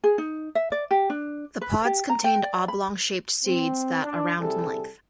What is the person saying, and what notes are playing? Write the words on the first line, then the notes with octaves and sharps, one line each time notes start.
The pods contain oblong shaped seeds that around in length.
G#4
D#4
E5
D5
G4
D4
B4
G4
A#5
G5
D5
B5
C4
D4
C3 G3 E4 G#4 A4